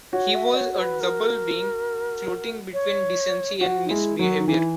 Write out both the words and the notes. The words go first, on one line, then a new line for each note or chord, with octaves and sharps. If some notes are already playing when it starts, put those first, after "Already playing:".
He was a double being, floating between decency and misbehavior.
F#4 C#5
E5
D#5
C#5
C#5
B4
A#4
C#5
F#4
D#4
G#3 E4
F#3 F#4
D#3
E3 E4